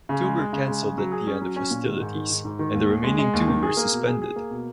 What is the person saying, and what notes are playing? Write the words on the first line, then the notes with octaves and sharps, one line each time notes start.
Two were cancelled at the end of hostilities, and the remaining two were suspended.
C#3
G#3
G#3
C#3
G#3
C#3
F#3
G#4
C#4
F#3
C#4
A#2
D#3
G#2
D#3
G#2
G#2
D#3
D#2
D#2
G#3
G#3
D#2
D#3
G#4
A#3
B2
G#4
G#4
A#3
B2